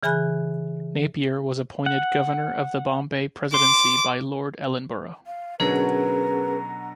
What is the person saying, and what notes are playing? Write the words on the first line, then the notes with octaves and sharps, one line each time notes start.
Napier was appointed Governor of the Bombay Presidency by Lord Ellenborough.
C#3 E3 G#4 G#5 B5 F#6
F#5
C6 D6
F5
B2 D3 F#3 C#4 G#4 A#4 B4 A#5